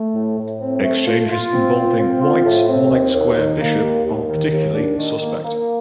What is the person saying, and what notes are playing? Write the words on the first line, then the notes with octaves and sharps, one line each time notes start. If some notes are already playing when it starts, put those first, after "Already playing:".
Exchanges involving White's light-square bishop are particularly suspect.
Already playing: A3
A2
A2
C4
A3
F4
F4
C4
F4
C4
F4
A2
C4
D#2
D#2
D#3
A#3
D#2
D#2
D#3
D#2
D4
D#3
A#3
A#3